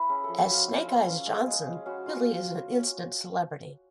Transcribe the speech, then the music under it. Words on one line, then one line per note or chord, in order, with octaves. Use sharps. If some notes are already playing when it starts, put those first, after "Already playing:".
As Snake Eyes Johnson, Billy is an instant celebrity.
Already playing: E4 B4
C#4 G#4
F3 A4
F#4
C#4
F4
F4
F4
C#4
G#3
G#3
G#3
C#4 F#4
F4